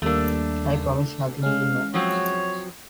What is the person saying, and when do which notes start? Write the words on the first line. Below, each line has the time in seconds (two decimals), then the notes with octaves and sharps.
I promise nothing, you know.
0.02 D#2 G3 A3 A#3 D4
1.43 G#3 C#4 F5
1.94 F3 F#3 C4 C#5